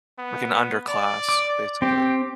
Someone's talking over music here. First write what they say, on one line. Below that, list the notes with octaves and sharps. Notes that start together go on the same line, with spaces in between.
Like an underclass, basically.
B3
D5
D6
C4 G4